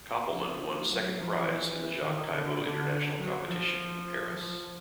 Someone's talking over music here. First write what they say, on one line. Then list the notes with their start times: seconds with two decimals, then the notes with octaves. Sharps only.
Kopelman won second prize in the Jacques Thibaud International Competition in Paris.
0.29 F3
0.87 F#3
1.16 F3
1.44 E3
2.03 D#3
2.32 D3
2.60 D3
3.18 F#3
3.47 F3
4.34 F3